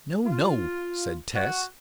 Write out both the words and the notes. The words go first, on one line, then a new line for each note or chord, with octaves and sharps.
"No, no!" said Tess.
F4
F#4